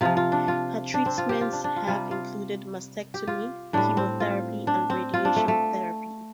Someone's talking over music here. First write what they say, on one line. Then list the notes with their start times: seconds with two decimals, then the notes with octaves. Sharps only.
Her treatments have included mastectomy, chemotherapy and radiation therapy.
0.01 C3 F3 F4
0.17 F4
0.32 D4
0.48 F4
0.94 D4
1.06 C4
1.18 F4
1.29 G4
1.41 F4
1.53 D4
1.64 D4
1.76 F4
1.87 C3 G3 F4
2.11 F4
3.14 G4
3.27 F4
3.73 A2 G3 D4
3.97 C4
4.20 F4
4.67 D4
4.90 C4
5.14 F4
5.25 D4
5.36 A3
5.48 A3